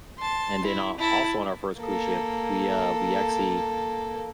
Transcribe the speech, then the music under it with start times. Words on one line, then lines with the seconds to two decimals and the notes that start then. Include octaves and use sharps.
and then a also on our first cruise ship, we, uh, we actually,
0.18 A5 C6
0.65 E4
0.98 E4 A5
1.78 A#3 A4